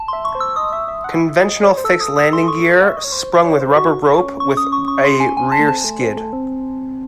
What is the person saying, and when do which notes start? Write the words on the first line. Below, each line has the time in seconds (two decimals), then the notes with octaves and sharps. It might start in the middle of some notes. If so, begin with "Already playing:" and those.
Conventional fixed landing gear, sprung with a rubber rope, with a rear skid.
Already playing: A5
0.08 E5 C6
0.25 C#6
0.35 C5
0.40 E6
0.56 D#5 D#6
0.72 E5
0.88 E5
1.04 F#5
1.20 E5
1.42 D#5
1.63 C#5
1.77 C5
1.84 A4 E6
2.01 D#6
2.16 D#6
2.33 C6
2.48 C#6
2.82 F#5
2.89 E5
2.97 D#5
3.04 C#5
3.12 C5
3.44 C#5
3.60 C5
3.76 F#4 C#6
4.19 C#4
4.40 C#6
4.57 D#6
4.72 C#6
4.88 C#6
5.05 C6
5.20 G#5
5.37 G#5
5.52 A5
5.60 A3
5.68 C4 A5
5.84 A3
6.01 C4
6.17 A3
6.33 C4